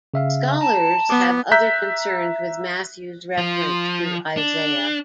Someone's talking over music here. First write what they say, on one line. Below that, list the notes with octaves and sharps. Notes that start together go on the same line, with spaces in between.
Scholars have other concerns with Matthew's reference to Isaiah.
C#3 E5 F5
A5 A#5
B3 D6
E5 A#5 F#6 G6 B6
F3
D4